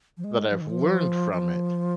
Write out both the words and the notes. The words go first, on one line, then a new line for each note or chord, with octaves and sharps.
that I've learned from it,
F3
G#3
F3
D#3
F3
F3